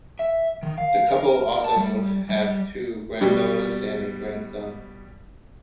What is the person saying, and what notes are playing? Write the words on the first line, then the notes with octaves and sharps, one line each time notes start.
The couple also have two granddaughters and a grandson.
E5
D#3
F5
A#4
A5
G3
G3
B2 G3